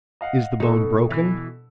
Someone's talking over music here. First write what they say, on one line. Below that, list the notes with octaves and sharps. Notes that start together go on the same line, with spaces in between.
Is the bone broken?'
D#5 F5 F#5
B2 D#4 A4
E3